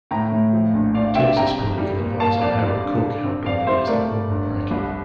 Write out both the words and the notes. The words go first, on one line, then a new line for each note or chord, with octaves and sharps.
Texas political advisor Harold Cook helped organize the quorum break.
A2 G5 A#5
A2
F3
A#1
D2 D5 F5
C3 E5 G5
C3 G5 A#5
F2
G3
A#2
A#3 F5 A5
F2 D5 F5
G3
G2
D3
C4
F2 D5 F5
G3 C5 E5
A3 A#4 D5
A3
G1
F2
C2